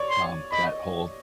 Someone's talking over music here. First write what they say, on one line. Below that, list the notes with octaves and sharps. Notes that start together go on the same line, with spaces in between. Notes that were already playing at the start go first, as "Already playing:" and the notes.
um, that whole
Already playing: C#5 D5
C6
D#5 B5